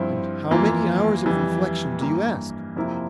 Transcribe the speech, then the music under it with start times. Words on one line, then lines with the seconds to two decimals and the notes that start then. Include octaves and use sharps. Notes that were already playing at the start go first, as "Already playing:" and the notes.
"And how many hours of reflection do you ask?"
Already playing: G2 F3 C4 E4
0.51 F2 E3 A#3 F4
1.26 F2 E3 G3
2.01 G2 E3 A#3
2.76 F2 C3 F3 A#3 E4